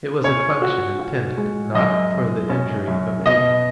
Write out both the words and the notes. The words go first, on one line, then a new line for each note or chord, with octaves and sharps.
It was a function intended not for the injury of any.
C#4 C#5
F#4
F#4
G#3
F#2 D#5
F#2
C#4
F#2
B2 D#5